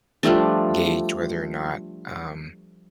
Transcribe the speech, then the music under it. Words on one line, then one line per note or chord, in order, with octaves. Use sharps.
gauge whether or not, um,
F3 G3 A3 D4